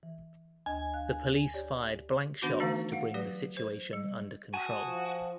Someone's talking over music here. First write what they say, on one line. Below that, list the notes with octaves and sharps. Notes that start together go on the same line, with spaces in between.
The police fired blank shots to bring the situation under control.
E3
D2 D4 D#5 G#5
F5 F#6
G4 C#5 D5
D#3 B3 D4 F#4 D6
D3 E3 A3 D#4 F5 A#5
F5 F#5
F#3 G4 B4 D5
C5
G3
F#4 G#5 A5 D#6
F3